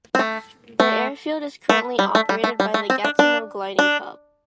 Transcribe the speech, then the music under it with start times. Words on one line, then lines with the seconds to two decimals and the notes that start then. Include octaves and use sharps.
The airfield is currently operated by the Gatineau Gliding Club.
0.15 C4
0.19 A3
0.80 A3
1.69 A3
1.99 G3
2.15 A3
2.29 G3
2.44 A3
2.60 G3
2.74 A3
2.90 C4
3.04 D4
3.19 D4
3.79 D4